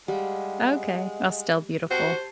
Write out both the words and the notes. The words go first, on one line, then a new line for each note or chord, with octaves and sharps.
Okay. Well, still beautiful.
G3 G#3 F5 F#5
F#4 G4 C5 A5 C7